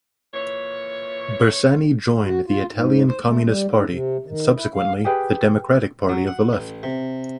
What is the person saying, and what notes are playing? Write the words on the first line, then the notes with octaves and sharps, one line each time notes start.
Bersani joined the Italian Communist Party and subsequently the Democratic Party of the Left.
A#2 E3 C#5
F#4
F4
G#2
C5
A3
G3
G#2
C3
D#3
E4
F5
G4 G#4 B4 G5
F#3
F#5
A1
C3